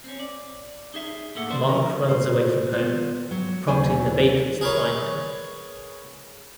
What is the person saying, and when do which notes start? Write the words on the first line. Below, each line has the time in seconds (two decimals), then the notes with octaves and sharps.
Mark runs away from home, prompting the Bakers to find him.
0.04 C4 C#4
0.20 D5
0.94 D#4 G#4 E5
1.35 A2 A#3 A4 F#5
1.50 C#4 G#4 B4 C5 D5 E5
1.69 C#4 A#4
2.09 C5
2.72 B3 F4
3.31 F#3
3.67 D#2 F#3 C5 G#5
4.61 G#4 A#4 B4 C#5